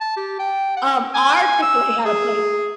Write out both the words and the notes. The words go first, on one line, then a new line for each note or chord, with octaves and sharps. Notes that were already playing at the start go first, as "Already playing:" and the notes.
um, our Chick-fil-A had a plate.
A5
G4
G5
F#5
G#5
E6
G#4